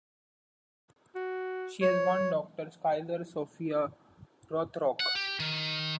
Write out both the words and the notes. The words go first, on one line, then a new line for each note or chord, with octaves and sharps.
She has one daughter Skylar Sophia Rothrock.
F#4
C#5
F#5
G4
D#3